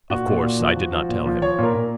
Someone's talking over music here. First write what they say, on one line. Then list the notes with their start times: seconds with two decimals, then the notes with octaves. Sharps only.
Of course I did not tell him.
0.10 A#2 F#4
0.27 A#2
0.43 A#2
0.59 F3
0.76 F3
0.92 F3
1.09 A#2
1.25 F3
1.42 F3 C#5
1.58 A#2 A#4
1.74 A#2